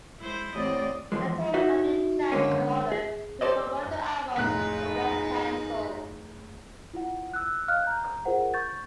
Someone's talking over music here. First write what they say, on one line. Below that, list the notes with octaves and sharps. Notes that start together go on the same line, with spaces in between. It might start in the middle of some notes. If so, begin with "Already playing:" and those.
A tour had been planned in order to promote the album, but was canceled.
G#3 E4 C5
A1 C4 D5 D#5
E2 G#2 F3 G#3
D#4 F#4 A4 E5
D3 G#3 A#3 C#4
G#4
G4 A4 C5 D5 D#5
F1 A2 G#3 D#4 F4 B4 F#6
E4 F4 F#5
E6 F#6
D#5 F5 F6 F#6
A#5 G6
F4 G#4 A#4 C5 F#5
C#6 G6 A6